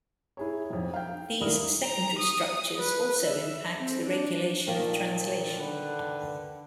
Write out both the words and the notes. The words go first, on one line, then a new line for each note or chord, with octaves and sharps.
These secondary structures also impact the regulation of translation.
E4 G#4 C#5
B1 F2
F5 G5
D#1 D#3 D4 E4 A#4 D#6
A#5
D#6
B4
E5
C4
D4
A#2 D#3 A#3 G5 A5
D3 B4